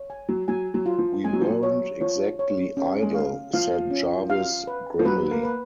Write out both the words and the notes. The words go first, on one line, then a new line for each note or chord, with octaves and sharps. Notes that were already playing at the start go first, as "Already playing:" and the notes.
"We weren't exactly idle," said Jarvis grimly.
Already playing: C#5
G#5
F#3
F#3 G#5
F#3
F4
F3
G#3 G#5
F#3
F3
F#3
C#5
F3 C#5
C#5
C#4
G#3
F5
F3 F5
C#4
F5
B4
F3
F#3 B4
A#3
B4